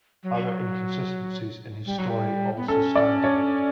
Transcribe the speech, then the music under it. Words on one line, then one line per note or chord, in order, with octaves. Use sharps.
Other inconsistencies in his story also stand out.
F#3
G3
F#3
G3
B3
C#4 A4
D5
C#5